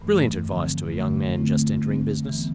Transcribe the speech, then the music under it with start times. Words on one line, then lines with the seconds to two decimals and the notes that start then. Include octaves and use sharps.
Brilliant advice to a young man just entering business!
0.01 G2 E3 A3
0.46 D3 F3 C4
0.92 E2 D3 A3
1.36 D3 A3 C4 E4
1.81 D3 G3 C4
2.26 E3 B3